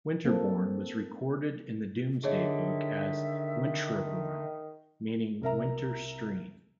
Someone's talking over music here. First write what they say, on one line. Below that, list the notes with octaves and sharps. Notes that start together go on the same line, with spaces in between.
Winterbourne was recorded in the Domesday Book as "Wintreborne", meaning 'Winter Stream'.
A#3 C4 A4
D3 D#3 G#4 C#5 D#5 E5
C2 A#4 E5 A#5